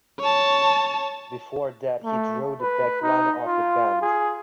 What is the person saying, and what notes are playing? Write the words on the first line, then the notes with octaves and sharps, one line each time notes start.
Before that he drove the backline of the band.
C#5 A5
A3
B4
D#4
F4
G#4